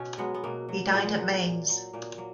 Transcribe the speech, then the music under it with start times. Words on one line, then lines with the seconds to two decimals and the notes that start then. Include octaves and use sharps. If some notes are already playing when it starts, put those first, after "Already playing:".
He died at Mainz.
Already playing: B2 C#4
0.18 F#3 G#3 B3
0.34 B3
0.44 B2 A#3
0.69 F#3
0.86 A#3
0.93 A#2 G#3 B3
1.18 F#3
1.43 A#2
1.69 F#3
1.93 A#2 A#3
2.18 F#3 A#3